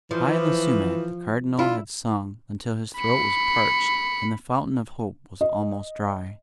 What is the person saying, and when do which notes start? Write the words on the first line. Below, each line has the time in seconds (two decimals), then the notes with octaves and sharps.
High in the sumac the Cardinal had sung until his throat was parched, and the fountain of hope was almost dry.
0.11 E3 F3
1.59 E4 F4
2.97 B5 C#7
5.41 D#5